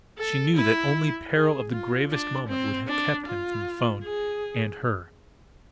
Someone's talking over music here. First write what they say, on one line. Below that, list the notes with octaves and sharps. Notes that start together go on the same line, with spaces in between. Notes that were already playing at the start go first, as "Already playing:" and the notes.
She knew that only peril of the gravest moment would have kept him from the 'phone--and her.
A4
E4
G#4
F4
D4
C4
D4
F4
G#4